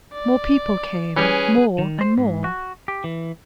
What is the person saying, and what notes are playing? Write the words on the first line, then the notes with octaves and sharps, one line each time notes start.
More people came--more and more.
D5
E3 G3 C#4 G#4 B4
D#3
C5
G#2
F#4
G4
E3